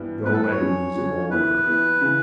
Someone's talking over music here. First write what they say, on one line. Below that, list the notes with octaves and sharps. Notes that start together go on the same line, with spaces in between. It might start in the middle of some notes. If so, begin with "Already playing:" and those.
Go and lose more.
Already playing: G2 E3 G3 B3
G2 E3 G3 B3 B4
A4
B4
C#5
D3 F#3 C#4
D3 F#3 C#4
E3 B3 E4 B4
E3 B3 E4
C#3 E3